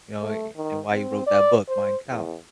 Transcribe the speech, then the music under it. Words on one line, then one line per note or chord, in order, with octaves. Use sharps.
you know, a a and why he wrote that book, Mein Kampf,
A3
D#3
C4
D5
C5
E2